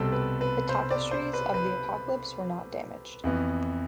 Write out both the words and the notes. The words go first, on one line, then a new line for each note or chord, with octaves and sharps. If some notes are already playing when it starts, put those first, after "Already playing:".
The Tapestries of the Apocalypse were not damaged.
Already playing: C2 B2 G3 C4 A4
B4
B4
C5
D5
C5
B4
B4
F2 E3 B3